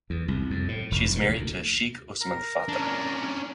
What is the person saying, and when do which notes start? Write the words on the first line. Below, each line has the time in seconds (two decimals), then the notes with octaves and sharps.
She is married to Sheikh Usman Fateh.
0.10 E2
0.28 C2
0.51 F2
0.68 A2
0.91 F1
1.15 A#2
1.28 D2
2.21 A#4
2.68 C#4 D4